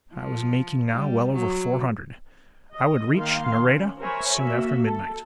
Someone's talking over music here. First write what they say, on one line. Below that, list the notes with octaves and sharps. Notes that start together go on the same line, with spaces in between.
I was making now well over four hundred; I would reach Nareda soon after midnight.
F3
G3
F#3
D#5
D#3 A#3 A#4 F5 C6
C#4
A#4 C5 C#5 E5 G#5 B5
A#3 F#4 E5
A4